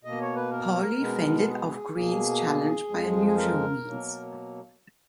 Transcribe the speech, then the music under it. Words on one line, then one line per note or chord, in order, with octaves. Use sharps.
Paulley fended off Green's challenge by unusual means.
B2 A#3 D#5
C#5
B4
A#4
B2 G#3 B3
A#4
G#4
B2 A#3 G#4
F2 F3 G#3
G#4
A#4
B2 F#3 A#3